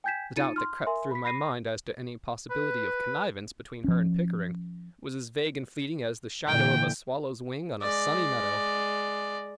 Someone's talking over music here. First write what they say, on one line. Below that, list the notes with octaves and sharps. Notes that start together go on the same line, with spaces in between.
The doubt that crept through my mind as to any possibility of connivance between her and Pickering was as vague and fleeting as the shadow of a swallow’s wing on a sunny meadow.
G5 G#5 G6 G#6 B6 E7
D#4 F4 A6 C#7 D#7
C6 F6
A#4 E5 G#5 C6
B5 B6
B5 A#6 C7 D#7
B4
F3 C#4
A#2 D3 E3 G5
G#3 D5